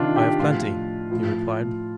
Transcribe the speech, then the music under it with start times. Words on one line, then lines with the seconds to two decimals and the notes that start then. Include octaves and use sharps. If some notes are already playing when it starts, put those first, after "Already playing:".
"I have plenty," he replied.
Already playing: C3 D#3 D4 F4
0.16 G4
0.39 A2 F3 F4
1.11 A2 F3